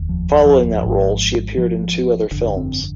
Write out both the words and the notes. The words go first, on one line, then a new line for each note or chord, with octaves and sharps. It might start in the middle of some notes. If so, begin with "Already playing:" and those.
Following that role, she appeared in two other films.
Already playing: F1 D#2
F3
F3
G#1 G#2
F3
G1 F2 D3 D4
C4